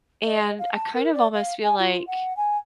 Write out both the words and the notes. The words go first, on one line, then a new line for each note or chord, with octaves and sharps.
and I kind of almost feel like,
D#5
F5
A5
A#4
D5
F5
G#5
F4
F#5
G#5